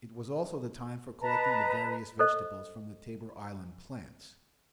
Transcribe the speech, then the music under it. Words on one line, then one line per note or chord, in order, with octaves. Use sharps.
It was also the time for collecting the various vegetables from the Tabor Island plants.
B4 D#5 A5 A#5
A4 C5 D#5